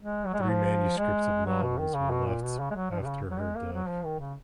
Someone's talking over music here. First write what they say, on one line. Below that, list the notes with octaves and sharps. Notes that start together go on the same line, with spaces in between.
Three manuscripts of novels were left after her death.
G#3
F#3
G#3
F#3
F3
G#3
F#3
B2
D#3
C#3
B2
A#2
B2
C#3
G#3
F#3
F3
B2
C#3
F#3
G#3
A#3
F#3
F3
D#3
C#3